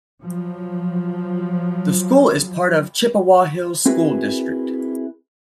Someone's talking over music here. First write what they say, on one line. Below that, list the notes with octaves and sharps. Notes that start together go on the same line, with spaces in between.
The school is part of Chippewa Hills School District.
F3 F#3
C4 E4 F#4 G#4 A#4 B4